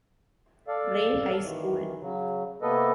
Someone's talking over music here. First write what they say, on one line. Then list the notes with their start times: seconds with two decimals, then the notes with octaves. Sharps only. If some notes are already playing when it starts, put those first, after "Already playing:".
Ray High School.
0.68 A4 D5 F5
1.40 D#3 E3
2.00 C#3 F#3
2.62 C3 A#3 B3 A4 B4 D#5